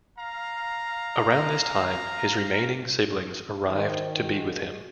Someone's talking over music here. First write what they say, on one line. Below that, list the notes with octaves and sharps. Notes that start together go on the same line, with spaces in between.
Around this time, his remaining siblings arrived to be with him.
F5 A#5
D#3 F#3 D#4 C5
G2 G#3 F#4